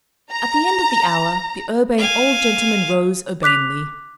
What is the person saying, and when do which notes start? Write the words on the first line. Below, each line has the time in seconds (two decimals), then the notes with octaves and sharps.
At the end of the hour, the Urbane Old Gentleman rose urbanely.
0.31 A#5
1.98 F5 G#5
3.43 D6 F#6 B6 F7